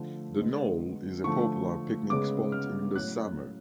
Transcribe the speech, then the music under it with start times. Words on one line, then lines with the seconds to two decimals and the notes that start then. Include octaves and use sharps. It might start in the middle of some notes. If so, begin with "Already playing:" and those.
The knoll is a popular picnic spot in the summer.
Already playing: D3 F3 A3
0.38 D3 G#3 B3
1.24 D3 F3 A3 C#6
2.10 C#3 G#3 B3 D6
2.52 F6
2.95 A2 F#3 C#4 F#6